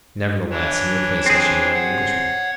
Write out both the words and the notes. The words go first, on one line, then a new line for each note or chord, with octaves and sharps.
"Nevertheless, in your place I should marry the Englishman."
E3 D4 C#5
C4 G#4
C#5 F#5